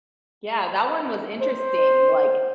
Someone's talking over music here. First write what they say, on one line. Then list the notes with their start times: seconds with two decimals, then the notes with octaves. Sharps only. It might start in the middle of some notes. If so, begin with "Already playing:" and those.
Yeah, that one was interesting, like,
1.42 C5